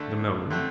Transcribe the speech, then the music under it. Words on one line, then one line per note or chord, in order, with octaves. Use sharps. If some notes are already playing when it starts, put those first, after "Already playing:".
"The moon."
Already playing: D3 A3 D4 A4
D3 A3 C4